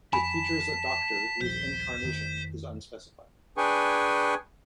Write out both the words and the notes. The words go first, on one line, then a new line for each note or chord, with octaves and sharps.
It features a Doctor whose incarnation is unspecified.
F2 G#5 A5 B5 B6
A#1 D#2 F3 C5
F2 D#3
D4 G#4 B4 G5 G#5 C#6